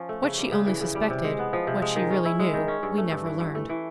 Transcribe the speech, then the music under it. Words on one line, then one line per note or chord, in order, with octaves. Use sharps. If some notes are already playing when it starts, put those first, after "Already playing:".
What she only suspected, what she really knew, we never learned.
Already playing: F3 C#4
A3
C#3
G3
C#3
E3
C#3
G3
C3
G#3
B3
F3
C3
G#3
D#3
C#4
E4
G#3
D#3
C#4
G2
A3
G2
E3
G2
A3
E3